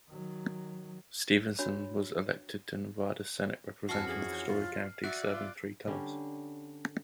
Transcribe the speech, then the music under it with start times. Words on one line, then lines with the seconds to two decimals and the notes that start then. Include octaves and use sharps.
Stevenson was elected to Nevada Senate representing Storey County, serving three terms.
0.10 D#3 F#3
1.59 D4 F#4 C#5 B5
3.89 F2 E3 C#4 F#4 A5 F6 C7
4.08 G#4 F#7
4.47 F4
5.04 F#4 D5 E5 F#6
5.33 F4
5.87 D3 G3 C#4